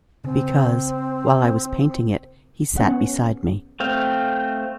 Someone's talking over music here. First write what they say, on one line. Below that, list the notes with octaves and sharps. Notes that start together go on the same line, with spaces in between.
Because, while I was painting it, he sat beside me.
C#3 C4
B3 C#4 F#5
A3 C4 F5